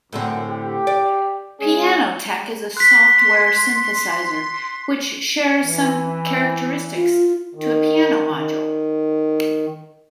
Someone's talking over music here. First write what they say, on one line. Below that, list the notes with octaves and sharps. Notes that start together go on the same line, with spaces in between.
"Pianoteq" is a software synthesizer which share some characteristics to a piano module.
F#2 A2 D3 C4
G4
D5
G#3 C#4 G#4
C6 F#6 B6
E3
F4
D#3
D#3